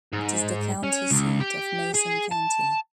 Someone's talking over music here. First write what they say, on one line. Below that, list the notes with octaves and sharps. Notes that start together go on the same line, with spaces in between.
It is the county seat of Mason County.
G#2
C#4
C#2
G4
G#4
A5